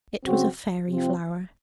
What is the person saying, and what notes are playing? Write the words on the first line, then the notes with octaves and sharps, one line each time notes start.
It was a faery flower.
C#3 F#3 C4 F#4
C3 F3 C4